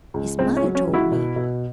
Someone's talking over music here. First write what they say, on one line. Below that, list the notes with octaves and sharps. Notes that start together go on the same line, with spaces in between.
His mother told me.
C#2
C#2 C4
C#4
F#3
C#4
C#2
E4 F#4
B2
B2